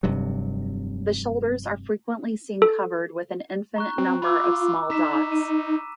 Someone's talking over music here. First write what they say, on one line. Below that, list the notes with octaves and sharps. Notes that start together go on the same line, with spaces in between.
The shoulders are frequently seen covered with an infinite number of small dots.
F1 G2 C3 F#3
A4
A#5 C#6 F#6
C4
F4 B5 D6 E6
D#4 A#5 B6 E7
D#7